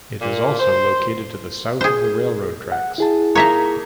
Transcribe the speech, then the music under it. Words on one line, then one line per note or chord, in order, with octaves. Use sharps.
It is also located to the south of the railroad tracks.
A#2
C5
G#4 C5
F#5
E4 G#4 A5
A#3 D#4 C#5 E5 A#5